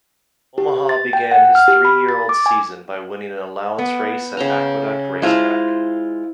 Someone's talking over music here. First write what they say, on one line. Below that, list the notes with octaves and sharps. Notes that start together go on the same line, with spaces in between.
Omaha began his three-year-old season by winning an allowance race at Aqueduct Race Track.
G4
A6
G5
F#5
F6
G4
B5
A6
D6
G#5
B3
C#3 G5 A#5
G#3 E4 F4 C5 D#5